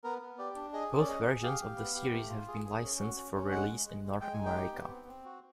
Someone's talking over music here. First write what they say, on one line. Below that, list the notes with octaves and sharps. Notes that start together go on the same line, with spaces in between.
Both versions of the series have been licensed for release in North America.
B3 A#4
B3
G4 D5
D4
G#4 D#5
C#4
D5
G#4 D#5
G#4
G4 F5
G4
B3
G4
A3
F4
G#4
G#4
C#4
F#4
C#4
C#4
G#3 F#5
G#3
G#3
G#3
G#3 G5
G#5
D#4
G5
G4
B3
C4
C4
F#4